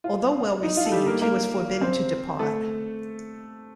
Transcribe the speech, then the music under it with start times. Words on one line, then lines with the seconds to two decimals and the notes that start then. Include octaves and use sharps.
Although well received, he was forbidden to depart.
0.04 F4
0.63 D#4
0.77 F4
0.86 A4
0.92 G3 G4
1.06 A#3 A#4
1.22 A#3 A#4
1.81 C4 C5
2.39 A3 A4